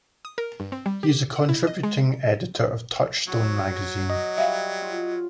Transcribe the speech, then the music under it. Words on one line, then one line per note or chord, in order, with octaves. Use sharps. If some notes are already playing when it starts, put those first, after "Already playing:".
He is a contributing editor of "Touchstone" magazine.
D#6
A#4
G2
C4
G3
G4
F#5
E4
D#5
G#3
F#3 F#4 C#5
D#5
G3 E5 F5
F4